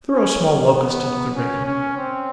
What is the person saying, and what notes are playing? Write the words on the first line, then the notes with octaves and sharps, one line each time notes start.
Throw a small Locust into the rigging.
C#4
B3
C#4
C#4
C4